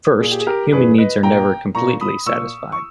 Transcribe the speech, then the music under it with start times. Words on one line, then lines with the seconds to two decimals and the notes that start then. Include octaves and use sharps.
First, human needs are never completely satisfied.
0.21 A#2 G#4
0.31 G4
0.39 G#4
0.47 G4 A#4
0.72 G2 E3 G#4 B4
0.98 B4 D#5
1.23 A#2 G5 A#5
1.75 A#2 A#5 C#6
2.01 B5 D#6
2.26 A#2 C#6 E6
2.72 C#6